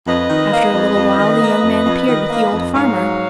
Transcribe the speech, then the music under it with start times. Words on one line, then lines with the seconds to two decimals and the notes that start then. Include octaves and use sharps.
After a little while the young man appeared with the old farmer.
0.07 F2 B4 D#5
0.30 D#3
0.52 A#3
0.74 F2
0.96 F2
1.19 D#3
1.41 A#3
1.63 F2
1.86 F2
2.08 D#3
2.30 A#3
2.53 F2
2.75 G#2 C#5 F5
2.97 F#3